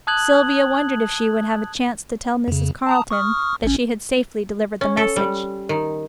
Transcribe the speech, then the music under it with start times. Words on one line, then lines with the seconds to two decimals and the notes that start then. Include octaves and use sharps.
Sylvia wondered if she would have a chance to tell Mrs. Carleton that she had safely delivered the message.
0.07 A5 D#6 F#6 G#6 F#7
2.48 F2 C#3
2.87 A5 A#5 D#6
3.11 C#6 D#6 F6
3.64 G#1 C#4
4.81 C#4
4.97 A4
5.16 G3
5.69 D#3